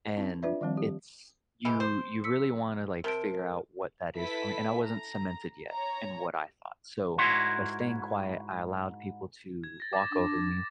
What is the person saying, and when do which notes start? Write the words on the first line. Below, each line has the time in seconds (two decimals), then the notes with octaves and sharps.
and it's, you, you really want to like figure out what that is for me and I wasn't cemented yet in what I thought. So, by staying quiet, I allowed people to walk over me,
0.17 C4 E4
0.43 D4 F4 B4 D5 E5
0.61 D#3 F3 G3 C4
0.77 G4
1.65 E3 G#3 G4
1.80 C5
2.24 E6 B6 C#7
3.04 C3 A#4 A5 D7
4.17 E4 A4 B4 B6
4.83 A#5
5.70 C#5 A#5
7.18 G#2 E4 F#4 A#4 C#5 C6
9.64 G#6
9.80 A6 A#6
9.93 D6 A6 A#6
10.12 D4